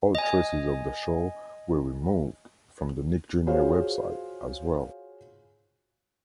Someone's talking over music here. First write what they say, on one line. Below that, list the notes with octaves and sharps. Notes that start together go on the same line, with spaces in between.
All traces of the show were removed from the Nick Junior website, as well.
D#5 G#5
F4 F#4 G#4 C5 C#5 F5